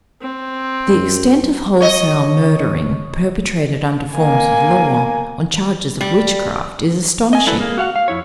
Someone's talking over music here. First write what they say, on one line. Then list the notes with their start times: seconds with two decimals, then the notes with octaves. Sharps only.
The extent of wholesale murdering perpetrated under forms of law, on charges of witchcraft, is astonishing.
0.22 C4
0.88 F#2
1.80 C#5 D#5
4.17 A#3 G#5
6.01 G3
7.33 D#5 G#5
7.47 F#3 A#3 E4 A4 B4 D5
7.59 G#3 A#3
7.78 F#4 F5 F#5
7.96 F5
8.08 F2 E4 C#5